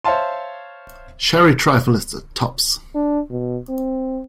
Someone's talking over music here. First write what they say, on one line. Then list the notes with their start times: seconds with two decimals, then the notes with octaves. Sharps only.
Sherry trifle is the tops!
0.04 C5 C#5 E5 F5 A5 C6
2.95 D4
3.30 B2
3.69 C4